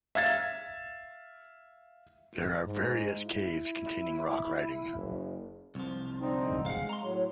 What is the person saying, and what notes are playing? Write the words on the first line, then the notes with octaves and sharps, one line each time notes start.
There are various caves containing rock writing.
E5 F5 G#6 A6
G#2
E4
F#1
C2 F3
D3 C4 D#4
G#3 F5 F#5
A#5 C6
A2 F#3